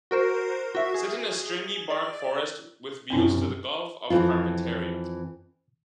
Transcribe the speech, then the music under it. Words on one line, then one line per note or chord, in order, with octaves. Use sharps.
Set in a stringybark forest with views to the Gulf of Carpentaria.
F#4 A#4 C5
F#4 E5
G#4
D5
F#2 C3 C4 D4 E4
F2 E3 C4 F4